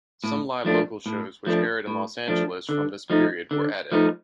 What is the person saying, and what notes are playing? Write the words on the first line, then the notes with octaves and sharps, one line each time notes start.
Some live local shows which aired in Los Angeles from this period were added.
A2
F3 A3 D4
A2
F3 A3 D4
A2
F3 A3 D4
D3
F3 A3 D#4
D3
F3 A3 D#4